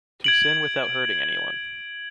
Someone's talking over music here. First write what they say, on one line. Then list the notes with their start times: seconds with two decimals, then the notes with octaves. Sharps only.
To sin without hurting anyone.
0.24 G#6 D7 F#7